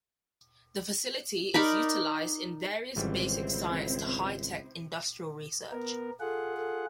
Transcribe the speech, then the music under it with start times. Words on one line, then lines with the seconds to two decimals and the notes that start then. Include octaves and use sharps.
The facility is utilized in various basic science to high-tech industrial research.
1.54 D#4 A#4 D5 B5
2.96 G#1 C#2 E3 G3 C4 E4 C5
5.72 B3 A#4
6.20 F4 G#4 A4 F#5
6.57 A4